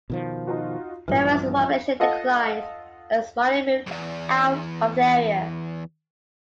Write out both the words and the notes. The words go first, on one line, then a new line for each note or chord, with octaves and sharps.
Peoria's population declined as mining moved out of the area.
B2 D#3 F3
D#4 F4 F#4
A#1 G2 E3 F3 F6
F4 A4 D#5 F#5
B1 E2